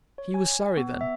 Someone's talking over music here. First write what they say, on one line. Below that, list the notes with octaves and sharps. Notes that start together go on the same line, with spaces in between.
He was sorry then.
C#5
G#5
B3
E5